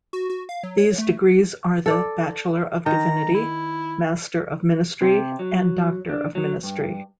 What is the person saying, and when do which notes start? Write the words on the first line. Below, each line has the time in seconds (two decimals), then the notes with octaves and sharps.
These degrees are the Bachelor of Divinity, Master of Ministry and Doctor of Ministry.
0.13 F#4
0.30 F#4
0.49 F5
0.63 F#3
0.78 C#5
0.98 A3
1.86 A4 D5
2.86 D#3 A#5
3.35 E4
5.01 C3
5.39 F#3
6.09 D4
6.35 F#3
6.63 G2